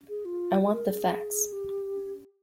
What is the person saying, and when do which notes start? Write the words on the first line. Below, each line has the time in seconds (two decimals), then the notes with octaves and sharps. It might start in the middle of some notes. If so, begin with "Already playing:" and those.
I want the facts.
0.09 G#4
0.25 F4
0.64 G#4
0.72 A#4
0.88 G#4
1.53 G4